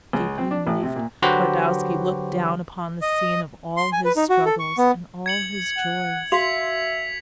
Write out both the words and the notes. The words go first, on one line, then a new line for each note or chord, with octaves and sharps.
Deeply moved, Twardowski looked down upon the scene of all his struggles and all his joys.
C#2
C4
D4
A1
C3
A#2
D3 F#3 F#4 G4 B4 C5
D#5
C6
G#5
B4
D#4
F#4
A4
C#6
B3
G#6 C#7 F#7
F#5
F#4 E5 F5 C6 B6 F7